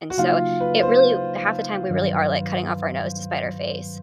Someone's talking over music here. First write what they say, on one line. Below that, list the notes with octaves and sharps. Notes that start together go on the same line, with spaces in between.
and so it really half the time, we really are, like, cutting off our nose to spite our face.
F#4
C#3 F#3 A#3 D#4 F4
B4
C5
G2 D#3 F#3